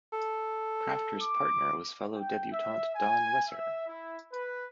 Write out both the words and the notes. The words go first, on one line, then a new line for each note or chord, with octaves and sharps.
Crafter's partner was fellow debutant Don Weser.
A4
D6
G5
E5
G#5
E5
E4
B4